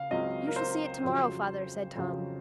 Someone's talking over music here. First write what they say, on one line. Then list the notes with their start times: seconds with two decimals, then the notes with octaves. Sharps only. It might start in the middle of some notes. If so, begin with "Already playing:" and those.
"You shall see it to-morrow, father," said Tom.
Already playing: C#3 F5
0.10 C#2 C#3 F#3 C4 D#5
0.47 A#4
0.56 C5
1.03 F2 C#3 F#3
1.95 F2 C#3 F#3